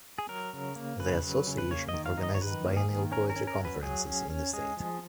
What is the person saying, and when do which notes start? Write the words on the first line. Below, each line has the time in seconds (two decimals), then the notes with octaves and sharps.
The association organizes biannual poetry conferences in the state.
0.18 G#4
0.29 F#3 A#4
0.53 C#3
0.76 A#3
1.00 C#3 B4
1.23 F#3
1.47 C#3
1.58 B4
1.71 A#3 C#5
1.89 D#5
1.94 D#3
2.06 F5
2.18 D#4
2.23 D#5
2.35 C#5
2.41 D#3 B4
2.65 A#3
2.77 G#4
2.88 D#3
3.12 C#4 A#4
3.30 A#4
3.36 C#4
3.47 A#4
3.59 F#3
3.65 B4
3.83 F#3 G#4
4.06 C#4
4.30 C#4
4.53 G#3 G#4
4.77 F3